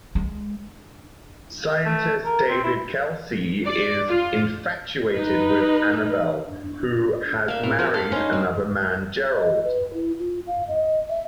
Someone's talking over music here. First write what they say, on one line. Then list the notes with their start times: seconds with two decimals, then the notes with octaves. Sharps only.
Scientist David Kelsey is infatuated with Annabelle, who has married another man, Gerald.
0.15 G#3
1.85 A3
2.25 A#4
2.49 C4
2.64 E4
3.65 D5
4.08 F4
5.12 D#4 B4
7.48 A#3 E5 F5
7.63 A2 F5
7.79 F3 C4 F#4
7.94 A4 F5 B5
8.12 C#4 D#4 C5
8.33 C4
9.36 D#5
9.64 B4
9.94 E4
10.19 F4
10.47 F5
10.68 D#5
11.10 E5